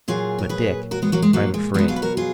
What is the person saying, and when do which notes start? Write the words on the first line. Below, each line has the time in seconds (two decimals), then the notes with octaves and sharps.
But, Dick, I'm afraid.
0.08 A#2 F#3 F4 G#4
0.39 A#4
0.49 G#4 B4
0.91 F#4 A#4
1.02 G#3 B3
1.12 F#3 A#3
1.22 G#3
1.33 F#3 A#3
1.54 G#3
1.74 B2 F#3 G#3 B3
1.88 F4 G#4
1.96 B4
2.02 F#4 A#4
2.17 F4 G#4